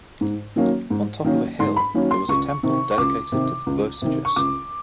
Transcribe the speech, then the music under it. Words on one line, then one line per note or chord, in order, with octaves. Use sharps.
On top of a hill there was a temple dedicated to Vosegus.
G#2
D#3 F#3 A#3 C#4
G#2
D#3 F#3 A#3 C#4
G#2 C6
B5
D#3 F#3 A#3 C#4
C6
C#2 C#6
C3 D#3
C#6
C#2 D6
C3 D#3
C#2
C3 D#3
C#6
C#2 D6